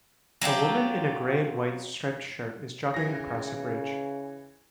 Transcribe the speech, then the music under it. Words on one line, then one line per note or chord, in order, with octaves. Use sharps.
A woman in a gray and white striped shirt is jogging across a bridge.
F#3 C4 F4 G4
C#3 E3 A#6